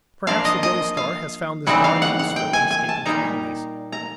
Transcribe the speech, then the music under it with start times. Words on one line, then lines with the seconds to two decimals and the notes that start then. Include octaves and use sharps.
Perhaps the Brittle Star has found this dodge useful in escaping from enemies.
0.27 F3 A#3 D4 F5
0.45 D#5
0.63 D#5
0.97 F5
1.67 C#3 E3 G3 C4 D#4 F#5
1.84 F5
2.02 F#5
2.19 F#5
2.36 G5
2.53 G#5
2.71 G#5
2.89 A5
3.06 A#2 G3 A#3 D#4 A#5
3.92 A#5